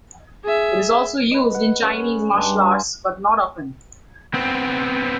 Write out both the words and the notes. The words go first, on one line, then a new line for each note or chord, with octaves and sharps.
It is also used in Chinese martial arts but not often.
G#4 E5
B4 D#5
F#5
C#4 G#4 C#6
G2 G3 D4 C6
F5 G#5 A#5 C6
B3 C4